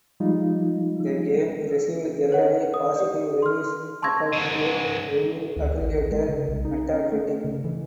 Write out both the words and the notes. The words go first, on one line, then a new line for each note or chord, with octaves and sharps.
The game received "generally positive reviews" according to review aggregator Metacritic.
F3 G3 G#3 D#4 F4
B4 C#5 F#5
D#6
G4 D5
C6 F6
A5 C6 C#6 E6 G#6 A#6
G#2 C#3
D2
A1
G#3
C#3
C2
D#4
C#4
A3
C#3
E3